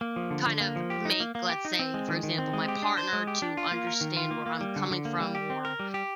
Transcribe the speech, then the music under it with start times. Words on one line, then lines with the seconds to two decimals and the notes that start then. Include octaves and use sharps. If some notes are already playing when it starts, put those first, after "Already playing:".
kind of make, let's say, for example, my partner to understand where I'm coming from or
0.01 A#3
0.16 F3
0.31 D3
0.46 D3
0.60 A#3
0.76 F3
0.90 G4
1.05 D#4
1.20 A#3
1.35 A#3
1.50 G4
1.65 D#4
1.79 C4
1.94 G#3
2.08 D#3
2.23 D#3
2.38 C4
2.53 G#3
2.68 G4
2.82 D4
2.97 C5
3.13 G#3
3.27 G4
3.42 D4
3.57 F4
3.72 A#3
3.87 A#4
4.01 D#3
4.17 F4
4.31 A#3
4.46 A#3
4.61 G3
4.76 D3
4.91 D3
5.05 A#3
5.20 G3
5.35 G4
5.50 C4
5.65 A#4
5.80 G3
5.94 G4